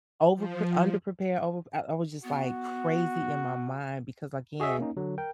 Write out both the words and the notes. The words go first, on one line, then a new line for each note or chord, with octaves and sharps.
overpr underprepared overpr uh, I was just, like, crazy in my mind, because again,
F3
B3 F#4
F#4 G#4 D#5 E5
A#3 C#4 D#4
D3 F#3
A#4 G5